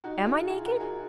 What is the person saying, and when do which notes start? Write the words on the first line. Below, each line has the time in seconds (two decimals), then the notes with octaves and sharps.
'Am I naked?
0.04 D#4 F#4
0.26 F4 G#4
0.50 F4 G#4
0.65 F#4 A#4
0.80 F4 G#4